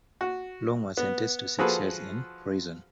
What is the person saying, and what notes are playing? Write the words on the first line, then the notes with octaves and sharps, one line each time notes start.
Long was sentenced to six years in prison.
F#4
B3
F3 F#4 G#4 A4 B4